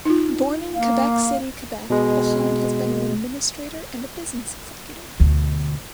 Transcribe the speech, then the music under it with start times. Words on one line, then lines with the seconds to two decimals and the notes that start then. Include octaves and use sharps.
Born in Quebec City, Quebec, Bachand has been an administrator, and a business executive.
0.05 D#4 F4
0.74 A#3 F5
1.90 B2 G#3
5.20 D2 B2